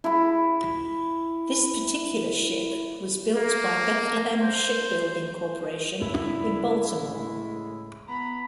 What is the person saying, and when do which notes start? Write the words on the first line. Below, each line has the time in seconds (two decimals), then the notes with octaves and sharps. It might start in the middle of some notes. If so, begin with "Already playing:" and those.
This particular ship was built by Bethlehem Shipbuilding Corporation in Baltimore.
0.04 E4 B5
3.37 A#3
4.42 C5
6.00 C#3 D4 E4
6.85 A2 C#3 G#3 E4
8.08 B3 A#5 B5